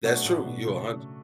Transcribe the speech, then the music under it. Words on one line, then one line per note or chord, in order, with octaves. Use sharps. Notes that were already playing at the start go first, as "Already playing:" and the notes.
That's true. You a hund
B2 F#3 A3 D4 F#4
A2
B2
C#3